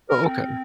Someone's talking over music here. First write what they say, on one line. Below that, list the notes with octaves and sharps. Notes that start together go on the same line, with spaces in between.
Oh, okay.
A#4
C4